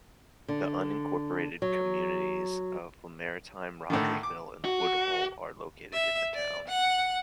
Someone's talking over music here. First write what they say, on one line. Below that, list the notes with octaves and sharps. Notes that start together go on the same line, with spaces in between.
The unincorporated communities of Lamartine, Rogersville, and Woodhull are located in the town.
D3
F#3
A2 D3 D#3
D6
F#4
E5
D5
F#5